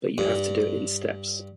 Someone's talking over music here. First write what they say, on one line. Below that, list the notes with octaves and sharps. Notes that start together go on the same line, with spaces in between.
But you have to do it in steps.
G2